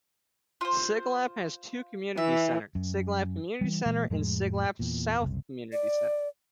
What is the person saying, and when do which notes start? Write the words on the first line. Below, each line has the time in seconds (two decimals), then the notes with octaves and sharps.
Siglap has two community centres, Siglap Community Centre and Siglap South Community Centre.
0.61 F4 C5
2.17 E3 E5
2.75 F#2
3.61 E3 G3
3.86 A#2 E3 G#3 A#3
4.10 F2 A2 F3 G#3
4.79 E2 A#2
5.20 F#1 C2
5.72 D5